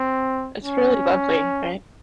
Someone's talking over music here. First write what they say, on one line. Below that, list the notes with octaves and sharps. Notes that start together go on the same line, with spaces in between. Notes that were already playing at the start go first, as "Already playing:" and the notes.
It's really lovely, right?
Already playing: C4
C#4